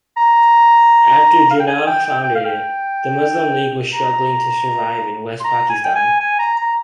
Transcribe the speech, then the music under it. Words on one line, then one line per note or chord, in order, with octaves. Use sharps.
After Jinnah founded it, the Muslim League was struggling to survive in West-Pakistan.
A#5
F5
G5
G#5
G5
G5
G5
F5
G5
A#5
C6
A#5
G#5
G5
G#5
G#5
A#5
A#5